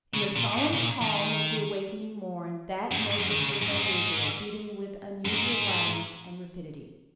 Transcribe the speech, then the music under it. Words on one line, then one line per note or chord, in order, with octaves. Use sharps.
In the solemn calm of the awakening morn that note was heard by Gabriel, beating with unusual violence and rapidity.
C#3
A#2
G#2
C#3
A#2
D#3
F#2
G#2
F#2
D#3
C#3
G#2
F#2
G#2
F#2
G#2